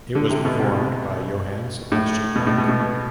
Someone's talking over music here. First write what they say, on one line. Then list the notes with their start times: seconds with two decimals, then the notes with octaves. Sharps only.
It was performed by Johann Sebastian Bach.
0.15 D3
0.30 C3
0.45 B2
0.59 C3
0.82 B2
1.92 A2
2.35 B2
2.47 A2
2.58 B2
2.69 B2
2.80 B2